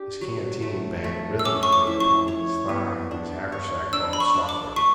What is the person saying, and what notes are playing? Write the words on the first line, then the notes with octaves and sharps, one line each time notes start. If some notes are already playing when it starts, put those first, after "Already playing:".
His canteen banged rythmically upon his thigh, and his haversack bobbed softly.
Already playing: D4 G4
F#3
A3
A3
E6
C#4 D6
C#6
D6
E4
C#6
C#5
B3
D4
C#5
D4 E6
B5
C#6
D4
D6
A3 C#6